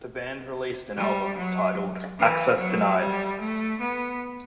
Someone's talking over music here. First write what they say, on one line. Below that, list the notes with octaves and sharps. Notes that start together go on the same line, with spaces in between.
The band released an album titled "Access Denied".
G3
F#3
E3
F#3
G3
A3
B3